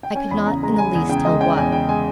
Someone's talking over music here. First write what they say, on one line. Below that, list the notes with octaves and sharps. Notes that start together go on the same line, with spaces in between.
I could not in the least tell why.
G5
C#4 G#5
E2 B5
C#3 A#5
G#3 A#5
A#5
C#4 G#5
E2 G#5
C#3 G5
G#3 D#5
C#4 G5
E2 G#5
C#3 G5
G#3 G#5